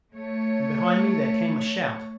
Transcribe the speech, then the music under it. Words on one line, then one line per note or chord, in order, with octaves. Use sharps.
From behind me there came a shout.
A3 C#5